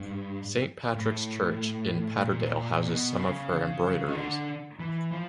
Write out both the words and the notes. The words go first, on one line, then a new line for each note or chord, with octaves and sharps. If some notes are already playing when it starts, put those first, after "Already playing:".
Saint Patrick's Church in Patterdale houses some of her embroideries.
Already playing: G2
A2
A#2
B2
C#3
D#3
D3
E3
F3